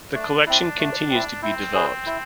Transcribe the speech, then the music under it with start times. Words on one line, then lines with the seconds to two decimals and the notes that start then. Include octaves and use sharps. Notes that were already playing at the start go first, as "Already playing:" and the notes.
The collection continues to be developed.
0.14 A3 D4
0.46 C4 D4 E4
0.78 A3
1.10 C4 E4
1.42 C4 E4
1.74 G#4 B4
2.06 E4